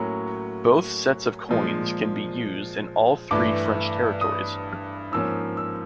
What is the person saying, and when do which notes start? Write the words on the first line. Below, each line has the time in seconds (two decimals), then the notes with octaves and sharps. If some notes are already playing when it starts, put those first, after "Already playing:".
Both sets of coins can be used in all three French territories.
Already playing: A2 F#3 A#3 C#4 C#6
1.49 A#2 F3 G#3
3.31 G2 E3 A3 D6
4.21 D#6
5.12 G#2 F3 A#3 C#4 E6
5.57 E6